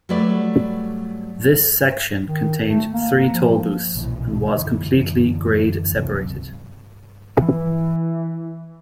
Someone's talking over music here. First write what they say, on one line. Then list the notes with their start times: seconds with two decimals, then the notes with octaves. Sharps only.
This section contained three toll booths, and was completely grade-separated.
0.09 F#3 G3 A3 B4 D5
2.26 D#3
2.66 A3
2.93 A#3
3.32 F3
3.95 B1 A#2 D#3 E3
4.57 F#2 D3 E3
5.94 C#2 C3 F#3
7.42 E3